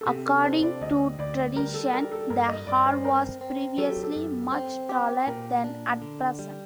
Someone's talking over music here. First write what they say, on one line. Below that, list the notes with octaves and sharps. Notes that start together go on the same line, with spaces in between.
According to tradition, the hall was previously much taller than at present.
A4
C3 G4
A4
D4 C5
D5
D2 D#5
D2 D5
G3 A#4
A4
G3 A#4
A4
G2 A#4
D#5
G2 D5
C5
C4 A#4
C4
F#3 A4
G4
A4
F#2
C4
G4
A#2 A#4
D4
D3
G3